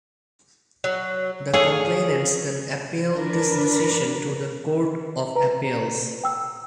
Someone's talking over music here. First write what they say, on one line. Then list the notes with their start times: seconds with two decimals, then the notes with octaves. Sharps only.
The complainants then appealed this decision to the Court of Appeals.
0.84 F#3
1.54 G#4 A4 C#5 F5
3.13 D4 A#4 B4
5.35 B4 A#5
6.24 G5 E6